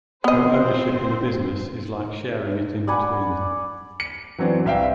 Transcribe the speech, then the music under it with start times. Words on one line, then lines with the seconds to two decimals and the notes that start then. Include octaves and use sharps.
Co-ownership in a business is like sharing it in between.
0.24 F3 B3 C4 C5 D#5
2.87 D5 F#5 G#5 B5
4.00 C#7
4.38 E3 F#3 C4 D4
4.66 C2 E5 F5 G5